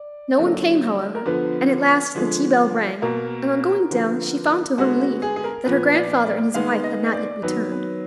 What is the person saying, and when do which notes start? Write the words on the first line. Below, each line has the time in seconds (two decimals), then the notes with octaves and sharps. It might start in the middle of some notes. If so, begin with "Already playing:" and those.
No one came, however, and at last the tea-bell rang, and on going down she found to her relief that her grandfather and his wife had not yet returned.
Already playing: D5
0.38 D3 F#3 A#3
1.15 A#4
1.26 D3 F3 B3 B4
2.15 D3 F3 G#3
3.02 B2 A#3 A#4
3.91 D3 F3 B3
4.78 D3 G#3 B3 F#4
5.00 F#4
5.22 G#4
5.36 G#4
5.44 A#4
5.66 A#2 F3 B3 B4
5.96 D5
6.25 D5
6.54 D#3 G#3 B3 F5
6.84 D#5
7.06 D#5
7.13 D5
7.42 D#3 F#3 B3 B4
7.72 B4